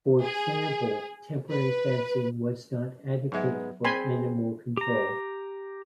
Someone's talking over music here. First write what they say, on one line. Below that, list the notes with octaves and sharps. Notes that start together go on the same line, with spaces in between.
For example, temporary fencing was not adequate for animal control.
G#4
B4
G#2 F#3 G#3 B3 E5 F#5
C4 G#4 G#5 B5 C6
G4 A#5